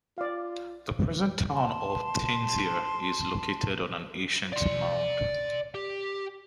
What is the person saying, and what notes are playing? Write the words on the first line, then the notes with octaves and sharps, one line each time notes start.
The present town of Thanesar is located on an ancient mound.
F4 D5 F5
A5 C6
D5 C6
G4